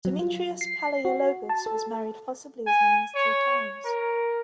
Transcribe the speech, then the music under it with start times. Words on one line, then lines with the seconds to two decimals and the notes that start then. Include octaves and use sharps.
Demetrios Palaiologos was married possibly as many as three times.
0.05 F#3
0.19 F4
0.61 C7
1.05 F#4
1.49 A5
1.66 A4
2.67 G#5
3.15 C#5
3.85 A#4